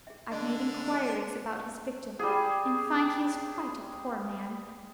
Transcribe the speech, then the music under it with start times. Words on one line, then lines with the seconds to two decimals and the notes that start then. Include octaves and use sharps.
I've made inquiries about his victim, and find he is quite a poor man.
0.07 G#4 E5
0.31 D3 G#3 D4 D#5
0.92 G#4 A#4 D#5
2.19 G3 G#4